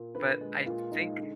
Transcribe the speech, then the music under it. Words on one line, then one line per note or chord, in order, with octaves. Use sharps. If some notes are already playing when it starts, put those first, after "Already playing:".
but, I think"
Already playing: A#2
D3 B4
G#3
A#2 F4
G#3 D#4
D3